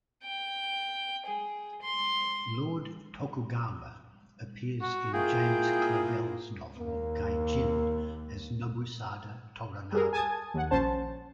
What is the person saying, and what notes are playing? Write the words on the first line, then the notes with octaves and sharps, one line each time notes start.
Lord Tokugawa appears in James Clavell's novel "Gai-Jin" as Nobusada Toranaga.
G5
G#4
C6
F#4
A#3 E4 F4 G#4 G5
D#2 A#3
G3 G#4 A#4
G#5 A5 D#6 G#6
D#2 F#5
A#1 C#4 C5 A5